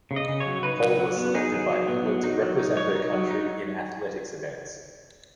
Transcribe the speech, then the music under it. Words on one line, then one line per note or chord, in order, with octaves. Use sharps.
Hall was selected by England to represent her country in athletics events.
C#3
D#5
C#3
C#5
F#3
D#4 B4
F#3
F#3
B3
D#4 G#4
F#3
F#3
B3
F#3
D#4
F#3
D#4
F#3 C#5
D#4
F#3
D#4